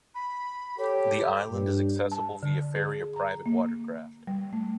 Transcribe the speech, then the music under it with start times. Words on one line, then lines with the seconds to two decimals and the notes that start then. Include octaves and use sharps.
The island is accessible via ferry or private watercraft.
0.15 B5
0.79 G4 A4 C#5
1.50 G2
2.12 A5
2.43 D3
2.76 G#4
3.16 A#5
3.46 A#3
4.27 G3
4.53 A3